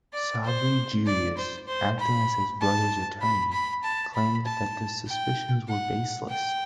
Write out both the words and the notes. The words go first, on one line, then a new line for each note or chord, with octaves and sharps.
Sabri Jiryis, acting as his brothers attorney, claimed that the suspicions were baseless.
D5
C5
D5
C5
C5
B5
A5
B5
B5
A5
B5
A5
G5
F#5
G5